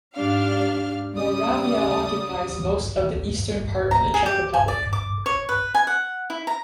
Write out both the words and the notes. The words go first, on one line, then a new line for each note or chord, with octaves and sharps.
Moravia occupies most of the eastern part of the Czech Republic.
G#2 D4 G4 D5 F5 F6
C#3 G3 D5 D#6
A#5
G#4
G4
G#5
D5
D6
C#5
B4
G#5
F#5
E4
A#5